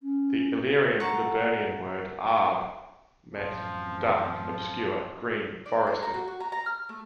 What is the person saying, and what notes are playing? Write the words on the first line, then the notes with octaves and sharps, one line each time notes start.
The Illyrian-Liburnian word "Arb" meant 'dark, obscure, green, forested'.
C#4
F#5 A5 A#5 C#6
A1 F#2 F3 C4
D5
C5
A#5
F#4
F#4
A#5
A#5
F6
A3